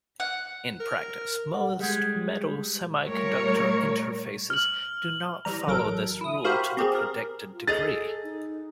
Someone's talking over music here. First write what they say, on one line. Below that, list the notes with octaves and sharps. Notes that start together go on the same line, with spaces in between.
In practice, most metal-semiconductor interfaces do not follow this rule to the predicted degree.
F#5
A#4
A4 F#5
G3 G#3
A#2 G3 A3 A#4 C#5
F6 F#7
E3 G3 A#5
A1 F#3 A4 A#4 D7
E4 D#6
F#4 G4 A#4 C5 F5 B5
C4 G4 G#4
A#4
F4
G#4 A4 D#5 A#5 A6
D#4